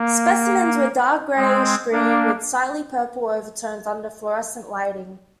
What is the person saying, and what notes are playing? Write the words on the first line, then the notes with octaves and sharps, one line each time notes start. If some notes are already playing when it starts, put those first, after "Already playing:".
Specimens were a dark greyish-green with slightly purple overtones under fluorescent lighting.
Already playing: A#3
G#3 C4
A#3 D4